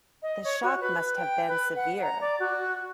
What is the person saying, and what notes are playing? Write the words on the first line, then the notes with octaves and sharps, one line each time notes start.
The shock must have been severe.
D#5
C#5
F#4
B4
G5
B4
F#5
A#5
D5
F#4